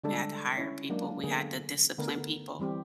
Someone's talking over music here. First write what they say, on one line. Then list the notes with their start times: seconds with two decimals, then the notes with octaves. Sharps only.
we had to hire people, we had to discipline people,
0.04 D3 G3 G#3 D4 A4
0.57 C#4 E4 C#5
0.89 F#3 G#3 A#3 D4
1.23 D3 A#3 B3 G#4
1.98 D3 A3 B3 A#4
2.59 E3 G3 C4 G4